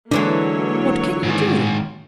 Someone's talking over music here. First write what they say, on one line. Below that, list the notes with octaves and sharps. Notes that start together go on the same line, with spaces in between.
What can you do?'
D3 E3 F#3 G#3 A#3 D4 C#5
G#2 D#3